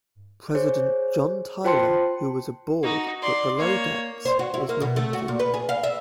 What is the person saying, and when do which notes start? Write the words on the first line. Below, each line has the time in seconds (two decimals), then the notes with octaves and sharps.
President John Tyler, who was aboard but below decks, was not injured.
0.55 G#4 C5 C#5
1.65 F4 C5 G5 A5 C6 C#7
2.83 D#4 F#4
3.22 D5 C6
3.57 A#3 C#5
4.25 C5
4.39 F#4
4.54 E4
4.69 A#3
4.82 B2
4.96 A3
5.13 F#4
5.28 A#2
5.40 B4
5.54 G#4
5.69 F5
5.83 E5